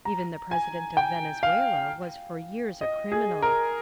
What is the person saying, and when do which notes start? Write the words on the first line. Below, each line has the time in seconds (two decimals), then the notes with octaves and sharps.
Even the president of Venezuela was for years a criminal.
0.05 A#5
0.51 G#5
0.97 G5
1.43 F5
2.81 D#5
3.12 G#4
3.42 A#4